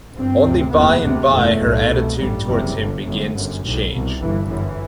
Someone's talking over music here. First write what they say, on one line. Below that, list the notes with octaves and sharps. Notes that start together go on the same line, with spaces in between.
Only by and by her attitude towards him begins to change.
G1 G2 C4
D2 C3
F#1 E2 C3 B3
D2 C3
F#1 E2 B2 A3
B1 A2
C2 B2
A1 G2 G3
F#1 E2 C3
G1 G2
G1 F#2
G1 F#2
B1 A2
C2 B2
G1 G2 E3
G1 F#2 E3